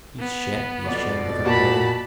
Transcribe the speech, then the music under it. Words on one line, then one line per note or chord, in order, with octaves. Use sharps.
You shan't be ashamed of her clothing.
B3
F2 B2 D5
A#2 F#4 A5 B5